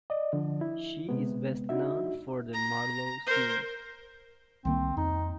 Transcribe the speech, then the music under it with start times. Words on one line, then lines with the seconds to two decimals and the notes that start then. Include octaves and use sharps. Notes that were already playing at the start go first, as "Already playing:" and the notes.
She is best known for the Marlow series.
0.10 D5 D#5
0.33 D3 F3 D4
0.61 E4
1.09 C3 G#3 B3
1.69 D4 D#4 F#4 E5
2.54 A#5
3.27 A#4 C5
4.65 C2 D#3 A#3 C4
4.97 F2 D#4